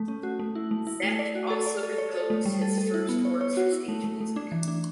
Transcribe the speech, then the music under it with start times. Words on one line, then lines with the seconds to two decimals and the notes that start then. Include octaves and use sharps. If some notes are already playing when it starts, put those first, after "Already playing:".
Zech also composed his first works for stage music.
Already playing: A3
0.08 C#4
0.23 F#4
0.39 A3
0.55 E4
0.71 A3
0.87 E4
1.03 A3
1.19 D5
1.35 F#4
1.50 A4
1.66 D5
1.83 A4
1.98 C#5
2.14 A4
2.30 A3
2.45 G3
2.62 A4
2.78 A4
2.94 E4
3.09 B3
3.25 C#5
3.41 C#5
3.57 F#4
3.72 E4
3.88 A3
4.04 A3
4.21 A3
4.36 D4
4.52 E3
4.68 D4